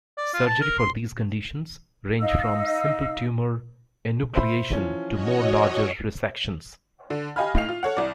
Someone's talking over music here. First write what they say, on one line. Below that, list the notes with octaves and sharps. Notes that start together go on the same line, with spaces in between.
Surgery for these conditions range from simple tumor enucleation to more larger resections.
D5
F4
A5
A#4
C6
D#4 D#5 F5 E6
C5 E5 B5
E3 F3 C#4
F#4 C#5 D#5
D3
G4 D#5 F5 G#5 B5 F6
A2 D#4 D#5 F5 C7 F7
F4
A4 C#5 F#5
C2 D5